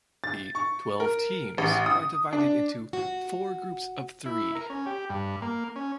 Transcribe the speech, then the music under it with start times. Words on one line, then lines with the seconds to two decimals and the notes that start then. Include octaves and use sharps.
The twelve teams are divided into four groups of three.
0.24 A6
0.55 C#6
1.00 A#4
1.58 A1
1.86 D#6
2.33 D4
2.93 F#4
4.26 E4
4.55 A#4
4.70 C#4
4.86 G4
5.09 G2
5.42 A#3
5.76 C#4